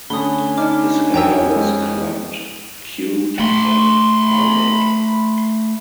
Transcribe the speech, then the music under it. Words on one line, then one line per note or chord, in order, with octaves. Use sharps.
His hair was clubbed, queued, and powdered.
D3 A3 C#4 B5 D#6 G7
D4 D#4 D6 F6
F2 G5 A#5 E6
G#3
A3 B5 C6